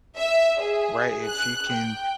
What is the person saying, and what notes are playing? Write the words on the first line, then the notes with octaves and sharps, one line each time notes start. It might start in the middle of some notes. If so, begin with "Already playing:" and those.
right, if you can
E5
G#4
F#6
G5